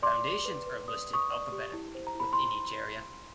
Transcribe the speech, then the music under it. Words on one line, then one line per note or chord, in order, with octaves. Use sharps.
Foundations are listed alphabetically within each area.
D5 C6 D6
D5
B4
B4
D5 D#6
B4 C#6 D#6
D5
G4
E4
C5
A#5
E4 B5
E4 C6